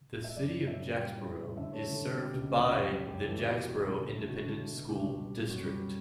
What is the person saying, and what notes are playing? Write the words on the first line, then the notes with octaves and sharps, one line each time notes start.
The City of Jacksboro is served by the Jacksboro Independent School District.
E5
F#2 D5
C#3
F#2 E5
C#3
G3 G5
A2
G3
A2
D3 E5
A3 C#5
D3 A4
D3
B2 G4
C#2
C#2
C#2
F#2 G4
F#2
F#2 G4
E3 A4
B2 G4
B2 F#4
B1 F#4
B1
D3
A3
D3 F#4
D3
A3
B2
C#2 G4
B2
G3
F#2
F#2 F#4
G3